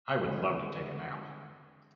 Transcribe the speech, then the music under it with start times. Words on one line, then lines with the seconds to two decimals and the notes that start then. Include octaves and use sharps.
I would love to take a nap.
0.24 G1 D3 G#3 C4 B4